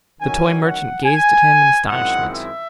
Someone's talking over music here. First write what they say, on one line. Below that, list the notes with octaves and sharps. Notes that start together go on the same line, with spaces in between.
The toy merchant gazed at him in astonishment.
D#3 F#3 C#4 G#5
F#5
G#5
F#2 D#3 G#3 C4 E4 F#5
E5